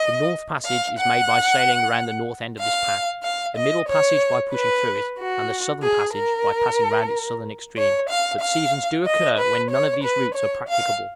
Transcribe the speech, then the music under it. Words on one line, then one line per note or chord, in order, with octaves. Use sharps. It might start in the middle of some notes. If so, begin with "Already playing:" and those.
The "North Passage" is made by sailing round the north end of this pack; the "Middle Passage," by pushing through it; and the "Southern Passage," by passing round its southern extreme; but seasons do occur when none of these routes are practicable.
Already playing: D#5
F5
F#5
F5
F5
D#5
C#5
B4
F#4
G#4
A#4
C#5
F5
F5
D#5
B4
C#5
B4
C#5
F5